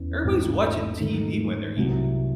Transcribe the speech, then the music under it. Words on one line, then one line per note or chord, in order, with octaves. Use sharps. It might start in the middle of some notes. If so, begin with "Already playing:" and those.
everybody's watching TV when they're eating."
Already playing: E2 C#4
A1 G#2 E3 C4 D#4
G#2 D#3 A3 D#4
C2 C3 F#3